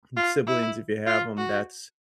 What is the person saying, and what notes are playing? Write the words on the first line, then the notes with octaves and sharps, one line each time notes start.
and siblings, if you have 'em, that's
F4
E4
F4
F#4